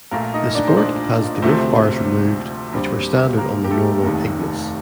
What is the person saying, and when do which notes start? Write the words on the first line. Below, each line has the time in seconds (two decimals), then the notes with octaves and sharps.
The Sport has the roof bars removed which were standard on the normal Ignis.
0.11 A#1 A#2 A3 A#3 A#4
0.34 D#4 D#5
0.55 D4 D5
0.68 C5
0.77 D4 D5
1.42 D2 C3 F3 A3 C4 C5
2.73 D#2 D3 G3 C4
3.38 A#3 A#4
3.64 G4
3.71 A3 A4
4.02 F1 D#2 D#3